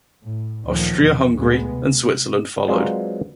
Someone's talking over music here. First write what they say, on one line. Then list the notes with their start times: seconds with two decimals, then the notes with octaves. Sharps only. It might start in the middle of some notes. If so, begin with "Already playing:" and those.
Austria-Hungary and Switzerland followed.
0.23 A2
0.66 D2 A#2 D#3 F3 F#3
0.99 E2 B2
1.38 D2 A#2 G#3 B3
1.72 C3
2.68 F#3 G#3 C4 F4 B4 D5